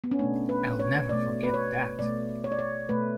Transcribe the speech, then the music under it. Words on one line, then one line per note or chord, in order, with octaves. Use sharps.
I'll never forget that.
B3
C#4
B2 A3 D4
B4
C#5
B2 A3 D5
B4
C#5
B2 A3 D5
C#5
D5
C#5
B2 A3 B4